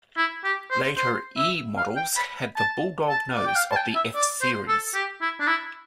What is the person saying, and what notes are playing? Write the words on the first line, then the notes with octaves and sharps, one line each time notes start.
Later E models had the "bulldog nose" of the F series.
E4
G4
C5
C5
E5
F5
G5
B5
A5
A5
D5
G5
F5
A5
G5
E5
D5
C5
A4
G4
E4
D4
E4